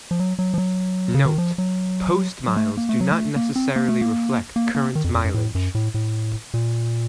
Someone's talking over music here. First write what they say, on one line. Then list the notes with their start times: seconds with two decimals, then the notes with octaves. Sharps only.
Note: Postmiles do not necessarily reflect current mileage.
0.11 F3
0.19 F#3
0.39 F#3
0.54 F3
0.58 F#3
1.14 C#3
1.25 D#3
1.38 F3
1.58 F#3
2.48 F#3
2.57 A3
2.77 A#3
2.89 A3
3.01 F#3
3.12 A3
3.36 A#3
3.56 C4
3.76 A#3
3.89 A3
4.01 A#3
4.56 A#3
4.75 A#3
4.95 D#3
5.04 F2
5.15 F2
5.24 F#2
5.34 A2
5.55 F#2
5.75 A2
5.94 A2
6.54 A#2